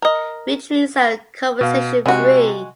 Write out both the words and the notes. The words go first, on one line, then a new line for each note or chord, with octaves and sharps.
Retreats are conversation free.
A#4 D#5
B2 F5
C3 G#3 F#4